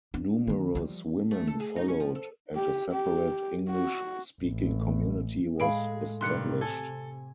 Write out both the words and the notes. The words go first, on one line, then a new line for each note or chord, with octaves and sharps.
Numerous women followed and a separate English-speaking community was established.
D4
D#3 B3
F3 G3
A3
A4
G#4
D#4
C#4
F3
A4
G4
G4
F#4
A1
A2 G#3 G#4 F5 B5 D7
G2 C3 D#3 C6 F#6 C#7
A4 G#5